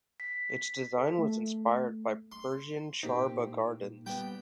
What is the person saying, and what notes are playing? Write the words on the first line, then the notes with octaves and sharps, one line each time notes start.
Its design was inspired by persian Char Bagh Gardens.
B6
A4
A3
C6
A#2 A#3 C4 D#4 G4
G3 B3 G5